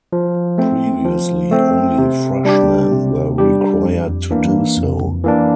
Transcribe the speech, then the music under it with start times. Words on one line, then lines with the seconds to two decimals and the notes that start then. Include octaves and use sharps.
Previously only freshmen were required to do so.
0.13 F3
0.58 A3 C4
1.05 F3
1.51 A3 C4
1.98 C3
2.45 G3 D4 G4
2.91 C3
3.38 G3 D4 G4
3.84 F2
4.30 E3 A#3 D4
4.77 F2
5.24 E3 A#3 D4